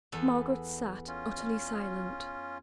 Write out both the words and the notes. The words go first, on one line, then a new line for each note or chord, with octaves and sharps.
Margaret sat utterly silent.
E2 B3 A4
C#4 F4